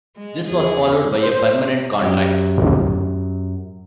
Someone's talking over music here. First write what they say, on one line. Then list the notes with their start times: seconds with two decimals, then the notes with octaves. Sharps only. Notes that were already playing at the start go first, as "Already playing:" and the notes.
This was followed by a permanent contract.
0.17 G#3
0.47 E2 G#4
1.22 C5
2.01 F#2 G4